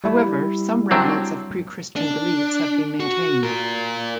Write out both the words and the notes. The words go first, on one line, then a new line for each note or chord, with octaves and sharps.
However, some remnants of pre-Christian beliefs have been maintained.
G3 E4
F#3 C4 D4
D4
F#4
F4 A#4